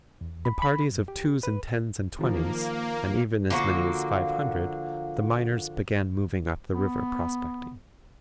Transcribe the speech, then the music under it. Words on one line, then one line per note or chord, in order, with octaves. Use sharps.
In parties of twos and tens and twenties, and even as many as five hundred, the miners began moving up the river prospecting.
E2
B5
B5
F#2
G4
B4
D#3 F3 A#3
D3 F3 A#3 F#4
B3